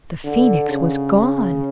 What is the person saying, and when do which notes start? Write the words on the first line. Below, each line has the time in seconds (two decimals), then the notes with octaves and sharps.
The Phoenix was gone.
0.24 D3
0.70 C#3